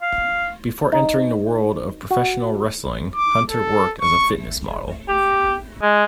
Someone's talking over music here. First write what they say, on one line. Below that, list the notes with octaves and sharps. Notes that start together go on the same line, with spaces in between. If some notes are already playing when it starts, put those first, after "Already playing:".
Before entering the world of professional wrestling, Hunter worked as a fitness model.
F5
D#4
F#4
D6
A4
C#6
G4
G#3